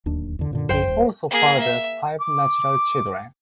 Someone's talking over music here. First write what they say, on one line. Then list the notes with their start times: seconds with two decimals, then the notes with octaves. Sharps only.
He also fathered five natural children.
0.06 D1 D#2 D4
0.39 E2 D3
0.51 F#2 A#2 D3
0.69 A#1 F#2 C5 G5
0.87 D#1
1.31 A#3 G#4
1.61 E5
2.21 D6